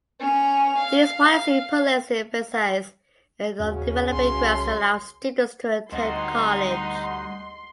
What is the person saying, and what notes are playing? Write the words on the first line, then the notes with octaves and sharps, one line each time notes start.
These policies put less emphasis on developing grants to allow students to attend college.
C#4 F7
F5
D#2 C#3 C#4 F#4
C2 C6
D2 G3 D#4 C5 D#5 F#5 C6